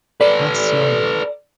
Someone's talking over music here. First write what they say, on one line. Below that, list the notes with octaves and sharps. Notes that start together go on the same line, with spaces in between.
What’s your game?
A4 B4 D5